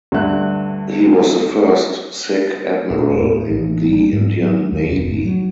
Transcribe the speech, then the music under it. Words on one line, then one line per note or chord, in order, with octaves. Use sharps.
He was the first Sikh Admiral in the Indian Navy.
D2 G2 E5 F#6
D#1
A2
A1
G3
G#2
F#3
D#2
F1
A2
F#3